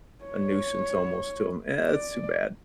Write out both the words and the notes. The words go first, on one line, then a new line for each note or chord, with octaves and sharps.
a nuisance almost to him. Eh, that’s too bad.
C#5
D5